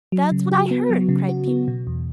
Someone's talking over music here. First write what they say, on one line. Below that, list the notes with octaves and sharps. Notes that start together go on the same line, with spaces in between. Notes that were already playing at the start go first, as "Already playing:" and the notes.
"That's what I heard," cried Peter.
F#3
C#3
F#4
B3
F#3
C#3
F#4
B3
B2
E2